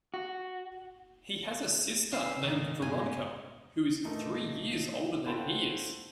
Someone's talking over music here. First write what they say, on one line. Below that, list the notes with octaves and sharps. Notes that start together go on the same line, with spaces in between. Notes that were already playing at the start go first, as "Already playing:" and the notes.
He has a sister named Veronica who is three years older than he is.
F#4
C2 C#4 B4 F5 E6
G#2 D#3 A#3 D#4
G2 B2 A#3 G4 G#5
A#2 E3 A3 A#3 D#4 A4
F#4 A4 C5 F5 G5 B5